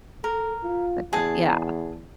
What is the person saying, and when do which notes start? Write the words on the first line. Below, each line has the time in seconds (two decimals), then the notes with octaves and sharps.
The prob yeah.
0.24 A4 A#4
0.63 F4
1.13 E2 G#4 A5